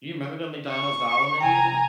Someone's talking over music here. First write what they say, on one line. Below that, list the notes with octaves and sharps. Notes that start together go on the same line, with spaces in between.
You remember the McDonald's dollar menu?
C#6
C3 G5 G#5 A#5